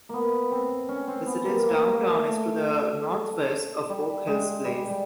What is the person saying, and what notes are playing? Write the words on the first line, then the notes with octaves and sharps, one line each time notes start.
The city's downtown is to the northwest of Oak Hills Place.
A#3 B3
C4
C#4
C4
B3
A#3
A#3
A#3
A3
G3
G#3
G3
G3